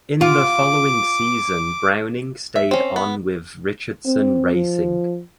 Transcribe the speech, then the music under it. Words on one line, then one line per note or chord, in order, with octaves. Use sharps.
In the following season Browning stayed on with Richardson Racing.
F4 D6
E5
C4 C#4
B3
C4
F3